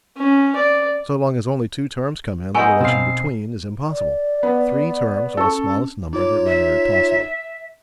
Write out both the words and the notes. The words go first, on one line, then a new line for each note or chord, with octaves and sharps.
So long as only two terms come in, the relation 'between' is impossible: three terms are the smallest number that render it possible.
C#4
D5
B3 D#4 A#4 C5 G#5 C#6
B2 C4 F5 C7
D5
B3
C#4 A4 C#6
D#4 F4 C#5 D6
E5